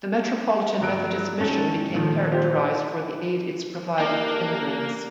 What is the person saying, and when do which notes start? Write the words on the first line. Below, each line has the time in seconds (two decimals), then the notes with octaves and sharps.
The Metropolitan Methodist Mission became characterized for the aid its provided to immigrants.
0.80 G2 F#3 D7
1.40 G#1 G#2 C#4 A4
1.94 A#2 D3 D#3 F3
2.31 F4 G4 C5
3.99 A#3 D4 G4 A#4 A#5